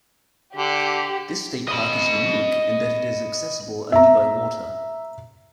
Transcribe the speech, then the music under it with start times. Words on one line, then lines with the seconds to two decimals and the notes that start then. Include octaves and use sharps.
This state park is unique in that it is accessible only by water.
0.56 D3 G4
1.68 D#5 B5
3.92 E5 A#5